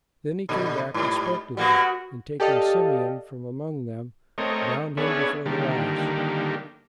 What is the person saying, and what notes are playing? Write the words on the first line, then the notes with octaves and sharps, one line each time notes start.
Then he came back and spoke to them, and taking Simeon from among them, bound him before their eyes.
A#2 D3
G#2 G3
G3 A#3 B3 F#4
G4 A4 D5 D#5 F5
A3 C4 A#4 C#5 D#5
B3 C#4 D4 G#4 C#5 E5
D3 D#3 G3 A#3